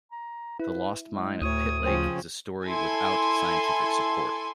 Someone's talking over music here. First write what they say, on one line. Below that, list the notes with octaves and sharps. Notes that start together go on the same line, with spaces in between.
The lost mine of Pitt Lake is a story without scientific support.
A#5
E4 B4
G#3
D2 A2 C#5 D#6
C#3 F3 C5 C#5 G5 G#5
E4 A4 G#5 C6